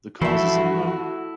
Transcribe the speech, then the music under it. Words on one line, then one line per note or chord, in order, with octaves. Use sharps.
The cause is unknown.
E3 F3 A3 E4 F#4 A4 E5 C6